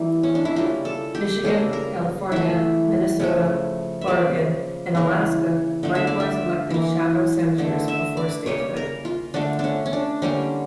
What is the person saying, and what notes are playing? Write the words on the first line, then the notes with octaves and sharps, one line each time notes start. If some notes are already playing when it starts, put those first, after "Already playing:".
Michigan, California, Minnesota, Oregon, and Alaska likewise elected shadow senators before statehood.
Already playing: E3 G3 A#3
C#4
D4
E4
C#3 G3 A#3 F4
A4
G4
C#3 G3 A#3 A4
A#4
E3 A3 E5
C#3 F3 A3
E5
C#3 F3 A#3 D5
C#3 E3 A#3
D3 A3
E5
D5
E5
E3 A#3
D3 A3
E5
D5
C#3 G3 A#3 C#5
A#4
F4
D3 A3 D4
C#4 D4
C#4
D4
D3 G3 A#3 C#4